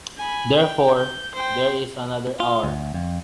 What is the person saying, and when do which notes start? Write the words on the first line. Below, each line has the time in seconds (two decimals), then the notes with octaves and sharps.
Therefore, there is another hour.
0.18 G#5 B5
0.60 G5
0.97 G6
1.35 C5 G5
2.40 F4
2.63 D2
2.94 F2